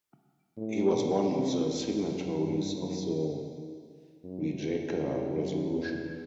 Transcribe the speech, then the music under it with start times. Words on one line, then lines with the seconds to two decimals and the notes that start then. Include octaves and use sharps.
He was one of the signatories of the Rijeka resolution.
0.57 A2
0.93 B2
1.31 C3
1.67 E2
2.04 F#2
2.40 G2
2.77 F#2
4.24 F#2
4.60 E2
5.33 F#2
5.70 E2